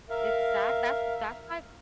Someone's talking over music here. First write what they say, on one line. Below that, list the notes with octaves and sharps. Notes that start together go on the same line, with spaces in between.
Exact That's that's why
A#4 E5 F5